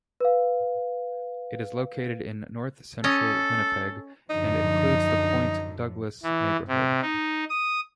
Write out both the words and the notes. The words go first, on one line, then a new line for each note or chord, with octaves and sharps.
It is located in north-central Winnipeg, and includes the Point Douglas neighbourhood.
B4 F5
C#4 A4 D#5
F#2 D3 F3 D#4
E3
C3
D#4
D#6